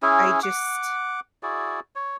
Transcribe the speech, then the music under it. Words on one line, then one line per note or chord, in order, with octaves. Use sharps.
I just
C#4 E4 G#4
F#5 D6
E4 F#4 G#4 D5
C#5